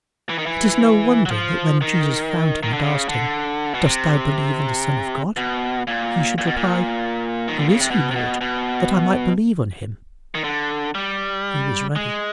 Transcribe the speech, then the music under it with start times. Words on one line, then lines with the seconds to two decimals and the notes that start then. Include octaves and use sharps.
It is no wonder that when Jesus found him and asked him, "Dost thou believe on the Son of God?" he should reply, "Who is he, Lord, that I might believe on him?" He was ready.
0.29 E3
0.38 D#3
0.46 E3
1.26 F#3
1.31 F3
1.82 D#3
2.63 D#3
2.73 D3
2.83 C#3
3.09 D3
3.74 B2
3.85 C3
5.37 B2
5.87 A#2
6.38 A#2
6.47 B2
6.57 A#2
7.48 D#3
7.59 D3
7.69 C#3
7.80 C3
7.91 B2
8.11 C3
8.16 B2
8.41 B2
10.35 D#3
10.44 D3
10.95 G3
11.96 G#3